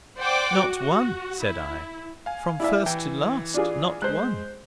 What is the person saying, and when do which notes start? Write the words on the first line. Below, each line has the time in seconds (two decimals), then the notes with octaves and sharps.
"Not one," said I. "From first to last, not one."
0.19 C5 D5 F#5 G5 D6
0.56 F#4
1.44 E4
2.26 F5 G#5
2.60 E4 D5 E5
2.86 E3 G5
3.54 D4 F4 G#4
4.02 G#3 C5 F#6